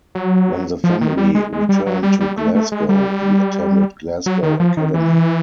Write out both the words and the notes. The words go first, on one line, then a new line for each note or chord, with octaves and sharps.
When the family returned to Glasgow he attended Glasgow Academy.
F#3
F3
D#3
G3
G#3
G#3
G3
F#3
G3
G3
A3
A3
G#3
G3
F#3
D#3
F3
D#3
E3